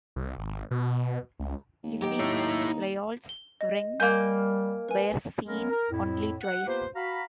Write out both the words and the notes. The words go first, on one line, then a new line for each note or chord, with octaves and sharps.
Living Lyall's wrens were seen only twice.
C2
G#1
B2
C#2
D#2
F#3 D#4 G4 G5
E4 C#5
G7
D#5
G3 A#3 A#4 F5 G#5 G6
B4 G#5
F#3 G#3 A#3 B3 C#4 A#4
A#4
F2 A2 E4
F#5
A#3 B3 F4 G4 B4 C5
F#4 F5 A#5 B5